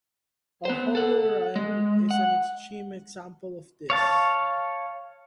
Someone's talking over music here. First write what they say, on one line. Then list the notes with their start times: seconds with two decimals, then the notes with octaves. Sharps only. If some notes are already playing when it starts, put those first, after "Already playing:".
A holorime is an extreme example of this.
0.65 B3 C5
0.95 A4 F#5
1.56 G#3
2.11 F#5
3.90 C#5 F5 A5